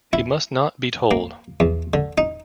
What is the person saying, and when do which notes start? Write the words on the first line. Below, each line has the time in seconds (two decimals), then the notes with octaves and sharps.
He must not be told.
0.13 E4
1.11 A#3
1.60 E2
1.94 D3
2.18 D#4